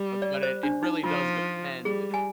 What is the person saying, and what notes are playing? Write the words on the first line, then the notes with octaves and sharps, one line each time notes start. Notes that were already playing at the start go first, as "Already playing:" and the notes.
um, but it it really does depend
Already playing: G3
D5
C5
D4
D#4
F3 F4
G3 G#4
G#5